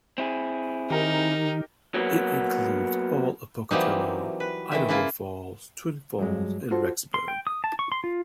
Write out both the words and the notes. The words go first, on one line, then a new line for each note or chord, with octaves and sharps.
It includes all of Pocatello, Idaho Falls, Twin Falls, and Rexburg.
C4 E4 G#4
D#3 D#4 G4 A#4
F#3 A#3 B3
E3 F#3 G3 A#3 C4 D#4
B4
D#3 E3 E5
C#3 A#3 E4 F4
G2 F#3 G#3
F4 F#4 A4 C5
C6
G5
D#6
A5
C#6
C6
F4